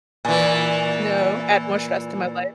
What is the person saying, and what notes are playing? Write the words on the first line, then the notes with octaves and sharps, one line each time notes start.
No, add more stress to my life.
A#2 E3